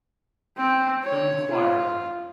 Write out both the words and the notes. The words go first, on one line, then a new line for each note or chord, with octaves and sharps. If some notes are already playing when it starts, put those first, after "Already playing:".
Don't inquire about me.
C4
C#5
F4